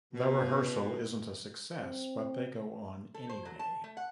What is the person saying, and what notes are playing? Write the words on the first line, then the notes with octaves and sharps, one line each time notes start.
The rehearsal isn't a success, but they go on anyway.
B2
C4
A4
C5
F#3
A5
A3
F#5